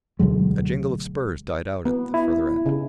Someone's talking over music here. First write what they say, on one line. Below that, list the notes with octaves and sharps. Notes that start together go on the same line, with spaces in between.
A jingle of spurs died out at the further end.
D2 B2 F#3 G#3
B3
E4
C#3